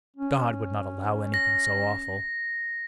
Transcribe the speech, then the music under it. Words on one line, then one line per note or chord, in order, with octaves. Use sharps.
"God would not allow anything so awful!"
C#4
A#6